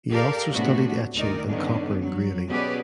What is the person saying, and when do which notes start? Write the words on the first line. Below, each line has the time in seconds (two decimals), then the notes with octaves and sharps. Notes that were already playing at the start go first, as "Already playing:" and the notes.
He also studied etching and copper engraving.
0.11 G4 A4 A#4 D5 F5
0.53 A2 C3 A3 B3 D4 F#4
1.15 D2 D#3 D#4 A#4 D5
1.49 G2 D3 D#3 B3 C#4 D4
2.01 F#3
2.48 B2 C#4 G4 G#4 B4 D5